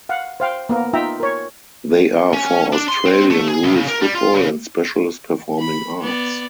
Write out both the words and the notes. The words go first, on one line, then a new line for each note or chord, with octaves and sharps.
They are for Australian rules football and specialist performing arts.
F5 F#5
C5 F5 G5
A#3 B3 A#4
D#4 F4 E5 G5 A#5
A#4 C#5
C#4
D4
C6
C4
A3
G#4
C2
C#3
A#4
G3
F4
C#3
B5
B3 D5